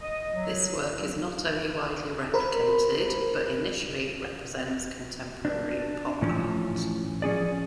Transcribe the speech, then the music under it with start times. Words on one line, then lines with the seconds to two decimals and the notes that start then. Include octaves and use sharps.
This work is not only widely replicated but initially represents contemporary pop art.
0.01 D#5
0.34 F#3
2.34 A#4 C5 B5
5.45 D4
6.22 A2 E3 F3 C#4
7.22 F3 C#4 G#4 D5